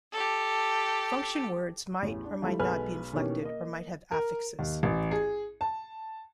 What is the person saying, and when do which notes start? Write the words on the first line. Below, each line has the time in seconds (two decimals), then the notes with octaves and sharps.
Function words might or might not be inflected or might have affixes.
0.12 G4 A4
2.02 A1 E2
2.24 D4
2.42 F3 G3 A3 E4
2.59 B1 G#3 A4 B4 G#5 F6
3.13 B2 D#3 E3 A#3 C#4 G4
3.43 A#3 D#5
4.12 A#4
4.59 D#2
4.83 A1
5.11 G#4
5.61 A5